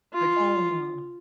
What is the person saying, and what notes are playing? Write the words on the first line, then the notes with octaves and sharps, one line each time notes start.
they call 'em, uh
F4